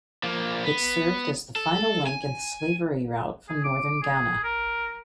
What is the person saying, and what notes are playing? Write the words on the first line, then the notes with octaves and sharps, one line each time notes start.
It served as the final link in the slavery route from Northern Ghana.
F3 A#3
B3
A4
G#5
G#4
D6
G#4
A#4